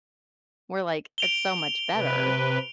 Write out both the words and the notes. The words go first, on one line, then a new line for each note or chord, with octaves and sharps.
we're like, "It's so much better."
D7 F7 G7
C3 B4